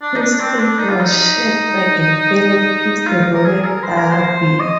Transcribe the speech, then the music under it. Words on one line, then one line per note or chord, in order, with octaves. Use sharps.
His fate was shared by a fellow priest, Robert Dalby.
D4
D#4
D4
C4
D4
D#4
F4
D#4
F4
A#4
G#4
A#4
C5
A#4
C5
D#5